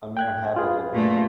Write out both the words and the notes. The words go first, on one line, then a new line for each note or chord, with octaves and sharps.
A mere habit in me.
G5 F#6 G#6
F4 G#4 B4
A#2 A3